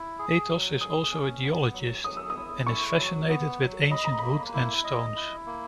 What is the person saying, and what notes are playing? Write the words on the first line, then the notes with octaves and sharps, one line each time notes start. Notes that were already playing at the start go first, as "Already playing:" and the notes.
Athos is also a geologist, and is fascinated with ancient wood and stones.
Already playing: E4
G#4
F#3
G#4 D#6
C#4
B3
F#3
F#3 D#6
E6
D#6
E4
E4 C#6
F#3
B3
F#3
D#5 B5
A#5
A#3 B5
E4
D#5
E4
A#3